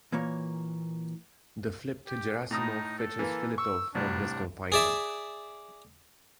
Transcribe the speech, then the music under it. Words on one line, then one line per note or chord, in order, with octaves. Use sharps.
The flipped Gerasimov fetches Filitov from his confinement.
A#2 E3 A#3 C#5
G4
A2 D#4 A#5 D#6
A4
E3 A#3
C#6 E6
C2 A2 G3 D4
G#4 D5 E5